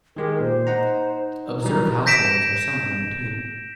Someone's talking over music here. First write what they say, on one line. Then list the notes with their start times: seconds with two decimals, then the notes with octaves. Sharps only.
Observed households are somewhere in between.
0.16 D#3 G#3 G4 A#4
0.40 A#2 C5
0.67 D#4 F#5 A#5
1.62 E3 F#3 G3 A#5
2.06 G6 A#6 B6 D7 E7